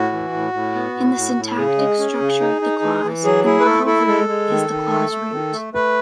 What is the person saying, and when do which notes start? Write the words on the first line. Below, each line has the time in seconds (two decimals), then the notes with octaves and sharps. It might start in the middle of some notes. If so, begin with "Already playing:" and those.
In the syntactic structure of the clause, the modal verb is the clause root.
Already playing: A2 F#4
0.12 E3
0.33 A2
0.53 A2
0.75 B3
0.95 A2
1.16 A2
1.36 A2
1.57 C#3 G#4
1.78 G#3
1.99 C#4
2.20 C#3
2.41 D#4
2.62 D#4
2.83 E3
3.04 E3
3.24 F#3 G#4
3.44 E4 G#4
3.60 B4
3.65 A3 A4
3.86 E4 A4
4.07 G#3 A4
4.28 G#3
4.49 D#3
4.70 D#3
4.90 A3
5.12 A3
5.32 D#3
5.53 A3
5.74 A3 B4